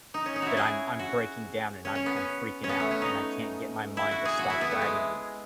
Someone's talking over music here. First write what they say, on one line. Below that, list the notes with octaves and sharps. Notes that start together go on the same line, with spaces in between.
that I'm I'm breaking down and I'm I'm freaking out and I can't get my mind to stop wagon-wheeling.
D#4
C#4
D#4
E4 F#4
G#4
F#4
C#4
C#4
B3
C#4
C#4
B3
A3
C#4
D#4
E4
F#4
G#4
F#4
E4
B3
A3
G#3